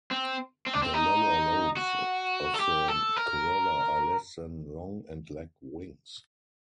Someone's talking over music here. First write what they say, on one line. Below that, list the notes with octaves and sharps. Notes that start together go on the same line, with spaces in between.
The lower lobes of the corolla are less than long and lack wings.
C4
C4
D4
C4
D#4
F#4
A4
G4
A4
A#4